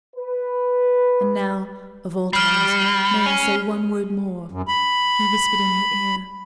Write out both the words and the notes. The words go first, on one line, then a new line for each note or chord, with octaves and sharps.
"And now--of all times--may I say one word more?" he whispered in her ear.
B4
G3 F6 C7
C#4
F#2
B5